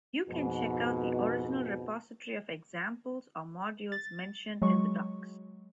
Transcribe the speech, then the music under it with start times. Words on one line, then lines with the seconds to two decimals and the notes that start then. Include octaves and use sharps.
You can check out the original repository of examples or modules mentioned in the docs.
0.28 F2 G#2 B2
3.92 A6
4.62 F#3 G#3 C#6